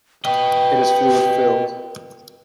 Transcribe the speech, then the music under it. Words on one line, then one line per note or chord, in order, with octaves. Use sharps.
It is fluid filled.
B4 D#5 G5